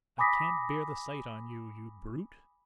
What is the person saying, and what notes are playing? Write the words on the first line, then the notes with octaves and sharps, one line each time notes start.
I can't bear the sight on you, you brute.'
G#5 B5 D6 D#6 A#6 B6